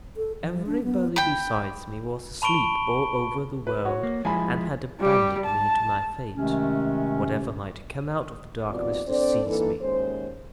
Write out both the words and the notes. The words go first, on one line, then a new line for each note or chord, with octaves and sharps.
Everybody besides me was asleep all over the world, and had abandoned me to my fate, whatever might come out of the darkness to seize me.
A4
F3
D4
B3
G5 B5
A5 B5 C#6 D7 G7
B4
F#4 C#5
A#3
F3 G#3 E4 G#5 B5
G3 G4
A5
C3 D#3 G#3 A3 C#4
D#2 B2 G3 C4 F4 D5
C4 D4 A4 C5 D5
E3 A#3 D4 D#4 A4
D#2 G#3 C#4 C5